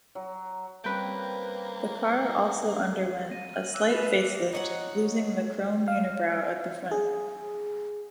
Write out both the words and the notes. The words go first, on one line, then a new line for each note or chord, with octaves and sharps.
The car also underwent a slight facelift, losing the chrome unibrow at the front.
F#3
G3 A#3 C4 C#4 B4 G5
A#6 D#7
F6 F#7
D6 E6 F#6
B4 A#6 E7 F7
C7 F7
D#4 C#5 F#5
F5
G#4